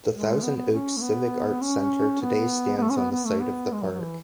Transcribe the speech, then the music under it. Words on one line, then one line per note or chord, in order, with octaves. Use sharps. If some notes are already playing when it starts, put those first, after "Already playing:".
The Thousand Oaks Civic Arts Center today stands on the site of the park.
G#3
B3
B3
C#4
A3
B3
C#4
B3
B3
A3
C#4
B3
B3
A3
B3
G#3
F#3
F#3
E3